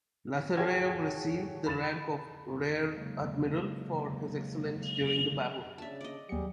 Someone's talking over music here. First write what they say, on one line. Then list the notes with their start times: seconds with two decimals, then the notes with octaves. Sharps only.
Lazarev received the rank of Rear Admiral for his excellence during the battle.
0.57 G#4 A4 C#5 F#5 G5 G#6
1.66 B5 A6 E7
2.94 C#3 F#3 G#3 A#3
5.78 C#3 D4 E5 A5
6.01 D5 D#5
6.29 D#2 F#3 G3 G4 G#4 C#7